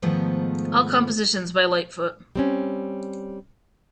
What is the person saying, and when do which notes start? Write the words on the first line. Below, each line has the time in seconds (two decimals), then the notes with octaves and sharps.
All compositions by Lightfoot.
0.02 G#2 D#3 F3 A3 B3
2.35 G3 C4 C#4